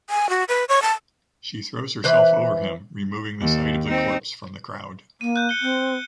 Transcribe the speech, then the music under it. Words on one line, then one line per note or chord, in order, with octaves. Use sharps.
She throws herself over him, removing the sight of the corpse from the crowd.
G#5
F#4
B4
C#5
A5
E3 B4 C5
D#2
C4 D#4
A#3 D#7
F#6 G6
C#7 G7
C4